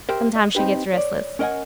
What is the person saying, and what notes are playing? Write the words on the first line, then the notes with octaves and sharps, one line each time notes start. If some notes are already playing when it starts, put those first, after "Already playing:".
Sometimes she gets restless.
G4 A#4 C5 E5
D#5
C4 D#4 F4 G4 B4
C#5 D5
C#4 A#4 D#5 F#5 G#5